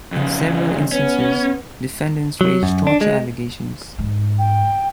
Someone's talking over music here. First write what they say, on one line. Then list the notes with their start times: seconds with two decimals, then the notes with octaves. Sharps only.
In several instances defendants raised torture allegations.
0.12 F2 C#3
0.92 B3 C#4
2.41 F#3
2.63 F#2
2.87 D4
3.01 G#3
3.98 G#2
4.39 G5